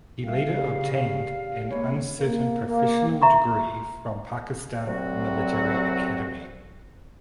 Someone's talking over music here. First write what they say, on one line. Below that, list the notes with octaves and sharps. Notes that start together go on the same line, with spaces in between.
He later obtained an uncertain professional degree from Pakistan Military Academy.
G3 E5 F5
C#3 G4 D5
G#3 A#3 C#5 B5
A#3
A#3
E5 A#5 C6 C#6
C2 F#3 C4 F#4